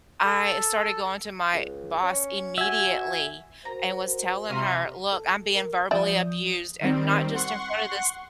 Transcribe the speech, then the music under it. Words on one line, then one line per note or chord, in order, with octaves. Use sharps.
I started going to my boss immediately and was telling her, "Look, I'm being verbally abused and not just in front of this"
A4
C#2
C#4
F#4 E5 G#5
F#4 A#4 C5 A#5
C3 F4 E5 A#5 C#6 F6 D#7
A4
A#4
F3 D5 E5 D#6 G6
D#3 G3 C4
F#5 C6 C#6